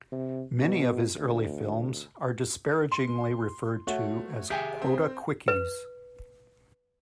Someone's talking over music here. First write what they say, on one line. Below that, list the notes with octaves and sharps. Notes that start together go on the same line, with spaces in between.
Many of his early films are disparagingly referred to as "quota quickies".
C3
B2
D2
C6
A3 F#4 C#5
G4 G#4 E5 G5 G#5 G6
C4
B4